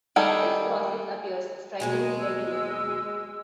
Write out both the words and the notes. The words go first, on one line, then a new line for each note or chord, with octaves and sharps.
This process appears strikingly regular.
D#3 G3 G#4 A4
D#2 B2 F#3 G#3 G#5
E6